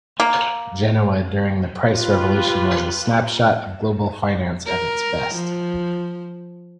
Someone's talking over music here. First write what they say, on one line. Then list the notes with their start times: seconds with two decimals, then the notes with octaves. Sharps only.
Genoa during the price revolution was a snapshot of global finance at its best.
0.20 A#3
1.87 F4 G4 B4
4.66 A#4
5.35 F3